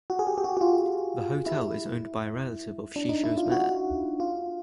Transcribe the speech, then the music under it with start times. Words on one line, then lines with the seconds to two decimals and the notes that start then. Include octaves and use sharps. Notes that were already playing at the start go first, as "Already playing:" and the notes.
The hotel is owned by a relative of Shishou's mayor.
0.10 F#4
0.19 G#4
0.27 G4
0.38 G4
0.44 F#4
0.57 F#4
0.61 F4
1.46 E4
2.96 D4
3.09 D#4
3.24 E4
3.38 F4
3.52 F#4
4.20 F4